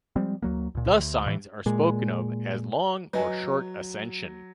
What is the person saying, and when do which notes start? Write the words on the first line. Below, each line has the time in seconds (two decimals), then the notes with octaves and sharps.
Thus, signs are spoken of as "long" or "short" ascension.
0.16 F3 G3 G#3 C4
0.42 D2 F#3 A#3
0.75 C#2 A#2
0.91 D2
1.27 A2 E3
1.66 A#2 G#3
3.13 F#3 B4 D#5 G#5